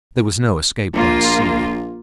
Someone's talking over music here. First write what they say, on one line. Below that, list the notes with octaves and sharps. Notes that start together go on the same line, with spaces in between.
There was no escape by sea.
A#1 A#3 F4